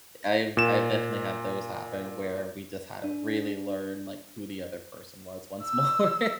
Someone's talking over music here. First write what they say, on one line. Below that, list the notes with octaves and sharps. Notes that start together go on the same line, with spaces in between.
I've I've definitely had those happen, where we just had to really learn, like, who the other person was once more.
A#2 E7
D4
E6